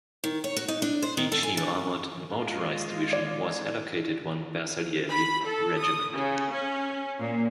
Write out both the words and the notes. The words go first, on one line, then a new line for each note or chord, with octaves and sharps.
Each new armoured and motorised division was allocated one Bersaglieri regiment.
D#3
C#5
F#4
D#4
D4
C5
D#3
A4
G#5
D3
G#3 F4
D5
B5
A4
D#6
C#3
C#4
A#2